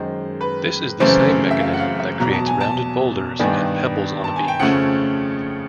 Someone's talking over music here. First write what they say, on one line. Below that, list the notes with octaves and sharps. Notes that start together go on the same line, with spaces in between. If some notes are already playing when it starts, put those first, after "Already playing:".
This is the same mechanism that creates rounded boulders and pebbles on a beach.
Already playing: F#2 D#3 G#3 C5
B4
F#2 C#3 E3 A3 C4 C5
E5
F5
F#5
F5
E5
E2 B2 F#3 A#5
A5
G#5
A5
G2 D#3 G3 B3 D4 G#5
A5
G#5
G5
F2 C#3 F3 A3 C#4 F#5